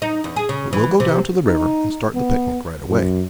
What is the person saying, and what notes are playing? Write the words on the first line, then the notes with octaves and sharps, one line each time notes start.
But we'll go down to the river and start the picnic right away.
D#4
E2
G#4
C#3
E3
C3
D#4
B3
F#2